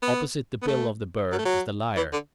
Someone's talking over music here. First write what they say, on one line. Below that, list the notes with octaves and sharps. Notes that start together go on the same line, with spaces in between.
Opposite the bill of the Bird is the Lyre.
B3
B3
A3
F#3
A3
F#3
E3
D3